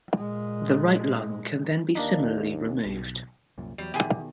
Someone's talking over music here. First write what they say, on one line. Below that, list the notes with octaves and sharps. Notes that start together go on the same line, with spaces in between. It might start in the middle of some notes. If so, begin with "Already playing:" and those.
The right lung can then be similarly removed.
A#2 G#3
D#2 A#3 D4 D#4
B1
C2 F#2 A#2
E2 F#3 G3
E2 B2 D#3 G4 G#4